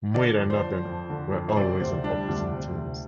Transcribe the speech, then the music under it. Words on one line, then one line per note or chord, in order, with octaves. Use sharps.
Muir and Norden were always on opposing teams.
D3 D5
F2
C5
F3
F2
D3
F2
C5
C3 D5
D2 C5
G3 D4
D2
C3
D2